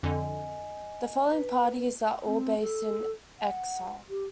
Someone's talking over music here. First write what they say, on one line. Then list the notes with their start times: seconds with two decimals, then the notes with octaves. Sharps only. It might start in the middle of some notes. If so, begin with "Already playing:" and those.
The following parties are all based in exile.
0.03 F2 D3 D#5 G#5
1.31 B4
2.26 C4
2.61 A4
3.39 F#5
4.09 G4